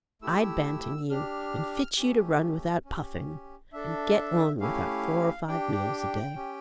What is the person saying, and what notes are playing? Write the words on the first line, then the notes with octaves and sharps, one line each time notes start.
I'd Banting you, and fit you to run without puffing, and get on without four or five meals a day.
A3 E4 G4 E6
D4 G4 F6
A3 C#4 G4
C#4 G4
D4 A4 E5
A3 C#4 E4 G4 F5
D4 G4 G5
C#4 G4